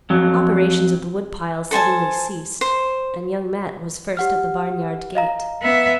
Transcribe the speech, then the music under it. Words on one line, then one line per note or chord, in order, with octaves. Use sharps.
Operations at the woodpile suddenly ceased and Young Matt was first at the barn-yard gate.
F2 F#3
A4 C5 G#5 A5
C5
G4 F#5 F6
D#5 F5 A#5
B3 E5